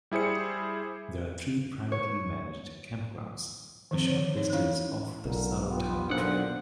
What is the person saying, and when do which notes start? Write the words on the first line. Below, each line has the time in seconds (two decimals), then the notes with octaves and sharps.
There are three privately managed campgrounds a short distance off the Sauratown Trail.
0.11 G3 E4 G#4 C5 C#7
1.92 C#5
3.91 D#3 F3 C4
4.08 C5 C#5
4.37 D#4 C#5
4.52 E3 C#4 E4 C#5 F5
5.25 B1 A#2 D3 A#4
5.69 B3 F4 G4
6.10 B1 A#2 D3 D4 C5 F#5